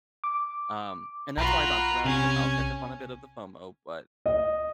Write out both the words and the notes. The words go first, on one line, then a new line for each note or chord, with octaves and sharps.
Um, and that's why I bounce around, it's like I'll catch up on a bit of the FOMO, but
D6
B1 F4 F#4 A#5 B5
C3 C#4
D#5